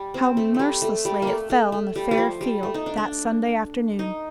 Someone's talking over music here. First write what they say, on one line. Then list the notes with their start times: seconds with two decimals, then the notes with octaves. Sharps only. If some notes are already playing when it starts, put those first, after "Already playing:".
How mercilessly it fell on the Fair-field that Sunday afternoon!
Already playing: G3
0.14 C4
0.37 A3
0.54 G3 A3
0.82 A3
1.05 G3
1.22 A3 A#3
1.50 A3
1.72 A3
1.96 G3
2.11 G3
2.18 F3
2.41 G3
2.63 A3
2.74 D#4
2.86 D4
2.97 D4
3.99 D#4